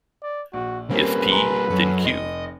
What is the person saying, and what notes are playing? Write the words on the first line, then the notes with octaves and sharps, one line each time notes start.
If P then Q.
D5
A#1 F#4
G3 A#3 C4 C#4 A#4 B4
G#5 A#5 C6
F#2 C#4 A4
F1 D#5